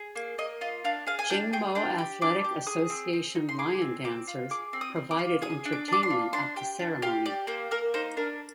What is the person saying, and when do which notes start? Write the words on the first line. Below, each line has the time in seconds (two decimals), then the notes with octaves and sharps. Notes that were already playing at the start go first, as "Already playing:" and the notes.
Jing Mo Athletic Association lion dancers provided entertainment at the ceremony.
Already playing: G#4
0.16 A#3
0.38 A#3 D#5
0.61 F4 D#5
0.84 D4 F5
1.07 G#4 F5
1.19 G#5
1.30 D4 G5
1.53 G#4 G5
1.75 D4 G5
1.98 G4
2.21 D4 D6
2.44 G4
2.67 G#4 D#6
2.90 C4
3.13 C4
3.35 D#4
3.49 C6
3.59 G#4 D6
3.81 C4
4.04 C4 D6
4.27 F4
4.50 G#4 D6
4.73 C4
4.81 D#6
4.96 C4
5.11 D6
5.19 F4
5.42 G#4 D#6
5.65 D4
5.72 D6
5.88 D4 D6
6.03 C6
6.10 F4
6.33 D4 C6
6.56 G4 G5
6.79 D4
7.02 G4 F5
7.26 G4 D5
7.47 A#3 C5
7.71 A#3 A#4
7.94 D#4 C5
8.17 D4 A#4